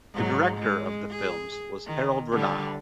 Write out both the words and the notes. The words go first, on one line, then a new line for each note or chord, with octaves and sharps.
The director of the films was Harald Reinl.
G#2 F#3
G#3
G#4
D#3
D3 G3